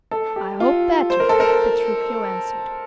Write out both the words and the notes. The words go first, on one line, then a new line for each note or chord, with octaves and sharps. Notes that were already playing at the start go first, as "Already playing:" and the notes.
"I hope, better," Petruchio answered.
A4
G4
F4
C5
A#4
A4
A#4